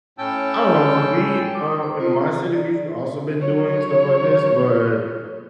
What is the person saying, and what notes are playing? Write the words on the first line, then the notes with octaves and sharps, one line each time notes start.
I don't know, it's, like, we um, in my city, we've also been doing stuff like this, but,
A2 C#4 G5 A5 E6
D6
D#6
C5
F4
A#5
G#4
D5
F#3 C#5